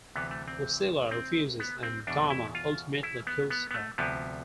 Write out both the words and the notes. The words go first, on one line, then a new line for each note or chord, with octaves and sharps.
Lucilla refuses, and Dama ultimately kills her.
D2 C3 E3 B3
A3
C4
C4
B3
C4
E2 B2 D4
E4
F4
E4
B3
B3
B3
A3
D2 C3 F3 B3